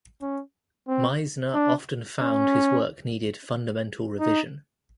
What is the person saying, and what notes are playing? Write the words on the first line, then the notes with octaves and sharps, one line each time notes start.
Meisner often found his work needed fundamental revision.
C#4
C4
D4
C#4
D#4